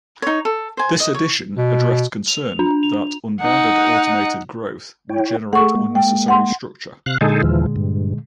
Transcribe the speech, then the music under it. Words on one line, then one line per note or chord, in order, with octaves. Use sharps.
This addition addressed concern that unbounded automated growth would generate unnecessary structure.
D#4 C#5
A4
C5 G#5
D#5
C#5
B2
F7
D4
F7
D#4 F#5
E4 C#5 G5
A3 G#4 A4 F#5 C#6
G#3 A#3
G5
F#5 C6
C3 F5 F#6
A#2 D3 G#3 D#4 G#4 A4
D#2 E3 F3
G2